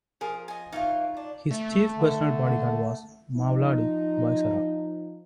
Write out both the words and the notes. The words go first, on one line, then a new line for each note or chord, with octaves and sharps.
His chief personal bodyguard was Movladi Baisarov.
F3 G#4 A#4
D#5 G#5
E3 D#4 F4 C#5 F5
D4
A3
D3
F3 D#4